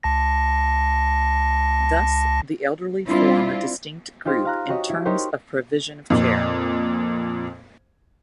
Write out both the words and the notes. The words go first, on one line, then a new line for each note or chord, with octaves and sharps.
Thus, the elderly form a distinct group in terms of provision of care.
C#2 A5 A#6
G3 C4 D4 E4 F4
D#4 F4 G4 C5
F5 A#5 F#6
F#4 G4 C#5 D#5
E4
D#4 G4 A#4 C5 C#5
F2 A#2